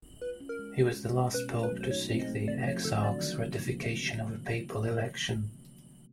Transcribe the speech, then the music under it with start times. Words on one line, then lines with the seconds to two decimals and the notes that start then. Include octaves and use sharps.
He was the last pope to seek the exarch's ratification of a papal election.
0.21 F4 B4
0.40 C#4
0.49 A#4
0.59 G#3
0.77 C#4
0.96 G#3
1.16 B2
1.34 C#4 B4
1.53 A3
1.63 B4
1.72 F#3
1.81 C5
1.91 D#4 C#5
2.10 C4
2.19 D#5
2.28 A3
2.48 A3 D5
2.66 F3 C#5
2.85 D3 A4
3.04 F#3 D5
3.23 D#3
3.42 C3
3.61 A#3